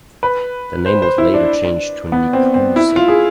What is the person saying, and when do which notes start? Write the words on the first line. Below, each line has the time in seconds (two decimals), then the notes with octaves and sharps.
The name was later changed to Nekoosa.
0.23 B4
0.86 C5
1.02 C5
1.18 E4
1.34 D4
2.12 B3
2.33 C4
2.54 C4
2.76 E4
2.96 F4
3.08 G#4